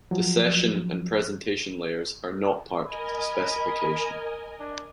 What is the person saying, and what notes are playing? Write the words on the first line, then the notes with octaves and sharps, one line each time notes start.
The session and presentation layers are not part of the specification.
F3 F#3
A#4 D#5 G#5 B5
D4